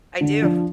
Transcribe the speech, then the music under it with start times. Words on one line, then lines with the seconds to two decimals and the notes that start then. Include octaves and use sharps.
I do.
0.21 D3
0.42 F3 D4